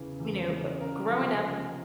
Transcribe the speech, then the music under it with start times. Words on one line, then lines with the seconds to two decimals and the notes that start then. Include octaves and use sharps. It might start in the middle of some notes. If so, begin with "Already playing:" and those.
you know, uh, growing up
Already playing: E2 C#3 E3 G#4
0.20 E2
0.50 C#3 E3
0.81 C#2 A#4
1.10 C3 F3
1.41 C#2